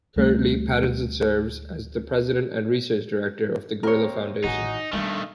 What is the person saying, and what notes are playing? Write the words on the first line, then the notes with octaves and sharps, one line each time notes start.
Currently, Patterson serves as the President and Research Director of The Gorilla Foundation.
D2 G3 A3
D#2 C4 A#4 C#5 G7
A1 D#3 D#4 F#4 G#5
B1 D#3 G3 A3 D4